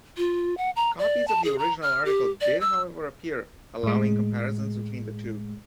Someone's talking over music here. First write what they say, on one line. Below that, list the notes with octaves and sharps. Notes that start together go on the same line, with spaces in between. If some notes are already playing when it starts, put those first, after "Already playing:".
Copies of the original article did however appear, allowing comparisons between the two.
F4
F#5
A#5
D5
A5
G#4
A#5
F6
G4
D5
E6
A2 G#3